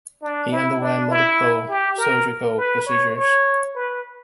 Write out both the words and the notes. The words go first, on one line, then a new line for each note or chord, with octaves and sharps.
He underwent multiple surgical procedures.
D4
E4
D4
E4
G4
A#4
B4
C#5
C#5
B4